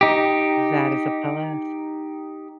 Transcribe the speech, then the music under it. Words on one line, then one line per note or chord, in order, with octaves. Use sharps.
That is a plus.
D#4 G4